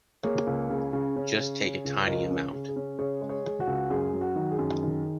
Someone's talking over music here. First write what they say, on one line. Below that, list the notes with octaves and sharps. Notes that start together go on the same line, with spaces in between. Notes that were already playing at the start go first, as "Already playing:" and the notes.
Just take a tiny amount.
A#3 G#4 C#5
C#2
C#3
C#3
C#4
C#3
C#4
C#2
C#2 A#4 D#5
C#4
C#3
G#4
C#4
C#3 G#4 C#5
G#3
G#4 C#5
G#3
F#4
C#2
F#2 G#4
F#3
F#4
D#3
G#4
F#2
D#3